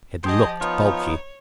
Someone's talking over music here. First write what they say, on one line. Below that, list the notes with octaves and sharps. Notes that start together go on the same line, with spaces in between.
It looked bulky.
F3 G4 G#4 C5 D#5
B3 D#4 F4 C#5